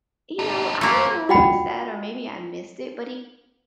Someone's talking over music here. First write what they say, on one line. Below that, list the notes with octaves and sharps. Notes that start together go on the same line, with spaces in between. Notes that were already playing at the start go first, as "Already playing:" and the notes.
you know, I don't know if he said, or maybe I missed it, but he
D4 D#4
F#3 A3 A#3 C#4
F4 F#4 F#5 G5 B5